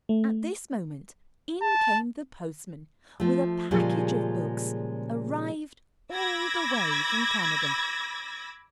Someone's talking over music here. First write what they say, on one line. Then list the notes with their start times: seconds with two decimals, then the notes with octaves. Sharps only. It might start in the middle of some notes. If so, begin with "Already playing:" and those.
At this moment in came the postman with a package of books, arrived all the way from Canada.
0.09 A3
1.62 A5
3.20 F3 A3
3.71 A#2 C#3 F3 G3 G#3
6.13 B5 D6 E6 G#6 A#6